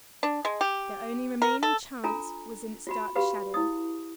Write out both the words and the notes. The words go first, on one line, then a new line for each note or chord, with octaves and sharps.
Their only remaining chance was in its dark shadow.
D4
G#3
G4
A#4
A4
D4 F4 A4 G#5 A#5
F4 F#4 B5
F#4 G4 B4 F5 B5
E4 D#6